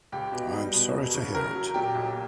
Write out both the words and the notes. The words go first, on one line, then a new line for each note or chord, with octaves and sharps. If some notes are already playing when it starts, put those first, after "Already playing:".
I am sorry to hear it.
C#2 G4
B2
G3
B2
E1
C#3
C#3 A#4
F#3
A#2 G4
B1